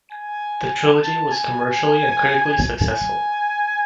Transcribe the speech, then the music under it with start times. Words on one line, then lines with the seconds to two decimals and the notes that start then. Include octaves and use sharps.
The trilogy was commercially and critically successful.
0.12 G#5
1.01 A5
1.31 G#5
1.61 G#5
2.79 G#5